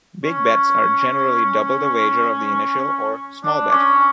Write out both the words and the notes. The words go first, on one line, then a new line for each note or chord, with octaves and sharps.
Big bets are generally double the wager of the initial or "small bet".
C#4
D4
C#4